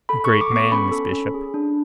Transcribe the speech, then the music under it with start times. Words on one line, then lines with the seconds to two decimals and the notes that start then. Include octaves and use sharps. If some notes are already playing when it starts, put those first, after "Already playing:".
A great man, Miss Bishop.
0.09 A4 B5
0.25 C#6
0.30 A4
0.41 D6
0.51 B3 C#6
0.72 C#4 B5
0.92 A4
1.12 C#4
1.34 G#4
1.54 D4